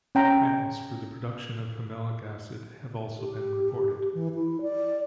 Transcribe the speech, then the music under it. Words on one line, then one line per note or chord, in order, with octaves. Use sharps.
Patents for the production of pimelic acid have also been reported.
C#4 G5 A#5
G4
E3
E4
D5